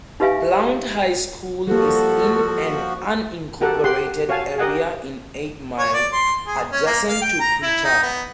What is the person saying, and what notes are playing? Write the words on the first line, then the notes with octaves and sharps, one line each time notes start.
Blount High School is in an unincorporated area in Eight Mile, adjacent to Prichard.
D#4 G4 B4 E5 F5 G#5
F3 G3 A#3 F#4 A4
F#4 G4 A4 A#4 F#5
G4 F#5 C6
F#4 C#5 F5 G#5 A5
G4 A#4 D#5 F#5 G#5
C#5
D5
C6
G#4
C#4
A#3
F5
G5
A#5
E4
D#4
B3